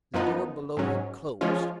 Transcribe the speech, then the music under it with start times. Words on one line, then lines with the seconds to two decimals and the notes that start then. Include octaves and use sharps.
The door below had closed.
0.14 F#2 F3 B3 D#4
0.77 G#2 F#3 C#4
1.41 F3 G#3 C#4 F4